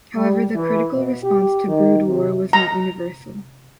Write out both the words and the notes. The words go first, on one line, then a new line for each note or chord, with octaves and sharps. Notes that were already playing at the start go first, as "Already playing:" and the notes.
However, the critical response to "Brood War" was not universal.
G3
E3
B2
G4
D#3
C3
A#5